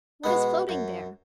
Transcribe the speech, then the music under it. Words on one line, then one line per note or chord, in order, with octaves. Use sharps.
"What is floating there?"
B2 G#3 B3
F#2